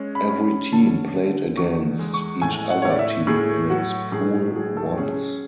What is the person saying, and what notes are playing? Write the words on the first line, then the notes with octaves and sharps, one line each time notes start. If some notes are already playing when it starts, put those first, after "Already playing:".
Every team played against each other team in its pool once.
Already playing: G#3 C#4
B5
C#4
B5
D3 A5
D3
E2 C#6
G#3
C#6
A2 G#5
F#5
A2 C#5
D5
E5
A2 G#4
F#3 F#4
A2 G#4
F#3 G#4
A4
C#4 G#4